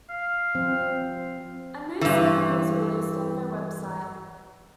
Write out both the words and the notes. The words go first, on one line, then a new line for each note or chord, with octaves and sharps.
A new single was released on their website.
F5
F3 C4 C5
G2 E3